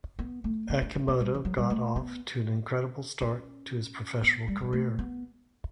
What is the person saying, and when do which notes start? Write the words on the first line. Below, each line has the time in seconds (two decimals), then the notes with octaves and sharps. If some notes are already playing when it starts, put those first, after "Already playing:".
Akimoto got off to an incredible start to his professional career.
0.19 B3
0.44 A3
0.70 B3
0.82 D4
0.95 C#4
1.08 B3
1.20 G3
1.34 E3
1.45 F#3
1.58 G3
1.70 A3
1.96 B3
3.22 C#4
4.22 B3
4.48 G3
4.61 G3
4.73 A3
4.99 B3